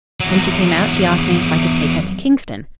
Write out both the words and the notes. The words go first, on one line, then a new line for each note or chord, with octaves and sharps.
When she came out she asked me if I could take her to Kingston.
E2 F#3